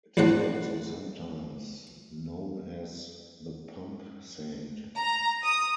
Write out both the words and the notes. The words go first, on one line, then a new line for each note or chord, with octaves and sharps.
It is also sometimes known as the Pumpsaint.
E2 A2 C4 D4 F#5
A#5
D#6